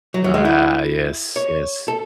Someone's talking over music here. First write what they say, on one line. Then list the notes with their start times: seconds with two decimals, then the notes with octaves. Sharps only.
A ah. Yes. Yes.
0.14 F#3
0.24 F#3
0.34 G#3
0.45 E4
1.36 C#5
1.88 A4